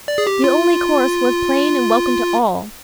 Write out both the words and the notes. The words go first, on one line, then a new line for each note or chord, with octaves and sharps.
The only course was plain and welcome to all.
D5
G#4
G4
F4